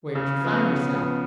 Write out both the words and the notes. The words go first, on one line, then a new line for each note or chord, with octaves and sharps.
"Where did you find yourself?"
C#3
F3 B3
C#3
F3 B3